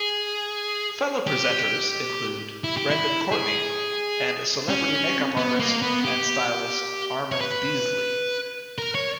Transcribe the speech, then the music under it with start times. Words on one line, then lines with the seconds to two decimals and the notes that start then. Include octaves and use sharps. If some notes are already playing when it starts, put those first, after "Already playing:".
Fellow presenters include Brendan Courtney and celebrity makeup artist and stylist Armand Beasley.
Already playing: G#4
1.27 G4
2.64 E4
2.77 G4
2.90 E4
3.32 G#4
4.69 C#4
5.37 B3
5.59 A#3
5.82 B3
6.05 G4
7.32 C#5
7.41 B4
8.78 A#4
8.95 C#5